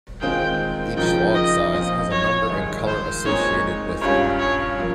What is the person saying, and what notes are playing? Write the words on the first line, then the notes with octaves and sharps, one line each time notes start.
Each log size has a number and color associated with it.
D#3 G#3 C4 F4 G5
C#3 F3 A#3 D#4 G5
D#5
A#2 F3 C4 F4 D#5
C#5
G2 D#3 G#3
C5
A#2 G#3 C4 D#4 C#5
G2 G3 C#4 F4 C#5
C#5
F3 A#3